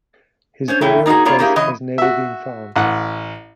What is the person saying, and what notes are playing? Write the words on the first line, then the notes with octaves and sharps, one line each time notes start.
His burial place has never been found.
C#4 C5 C#5
A#2 E3 A3 C#4 E4 G5
A#3 D#4 F4 F#4 G#4
A#3 B3 F4 C#5 D5
A#3 E4 G4 G#4 C#5 F5
C#3 E3 C#5 D#5
F#4 E5
A1 F#5